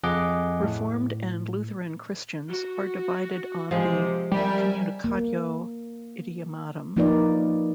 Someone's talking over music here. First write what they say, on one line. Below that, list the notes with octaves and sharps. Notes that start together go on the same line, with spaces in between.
Reformed and Lutheran Christians are divided on the "communicatio idiomatum".
F2 G#4 D#5 F#5 D6
A2
F#4
C3 F3 G#3
G3 A#4 E5 G#5
A#3
F3 A#3 D#4 F4 B4 D5